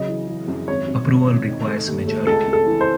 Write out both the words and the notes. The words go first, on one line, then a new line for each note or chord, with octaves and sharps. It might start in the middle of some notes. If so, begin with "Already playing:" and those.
Approval requires majority.
Already playing: C#3 F#3 D#5
E3
E3
F#2
G#1 C#5
G#1
G#1
G#1
D#3
A3
D#2
A3
C#2 A4
C#2
A4
E3
C5